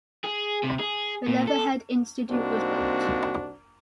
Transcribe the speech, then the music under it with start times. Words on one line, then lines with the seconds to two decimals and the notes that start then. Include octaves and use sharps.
The Letherhead Institute was built.
0.24 G#4
0.63 C3
0.79 G#4
1.28 A#2
1.47 A4
2.29 C2 A#3 C4 D4 D#4 F#4